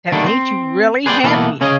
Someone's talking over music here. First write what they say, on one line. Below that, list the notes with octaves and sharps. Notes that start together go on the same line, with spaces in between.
that made you really happy?
D#2 D3 D#3 G3 A3 D4
C4
G#4 B4 C5 D5 D#5 G5
B2 E3 A#3 B3 E4 A4
C#3 C#4 G#4 C#5 D#5